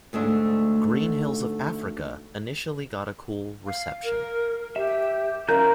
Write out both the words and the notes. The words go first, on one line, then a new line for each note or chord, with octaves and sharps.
"Green Hills of Africa" initially got a cool reception.
D2 G#2 A3 D4
F5
A#4
G4 E5
E3 F#3 C#4 A#4 F5 G6